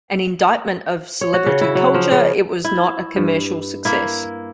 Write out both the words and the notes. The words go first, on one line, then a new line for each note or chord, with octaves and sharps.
An indictment of celebrity culture, it was not a commercial success.
C#5
F#4
C#3
E4
F#3
F3
C#3
E4
G2
A#3 E4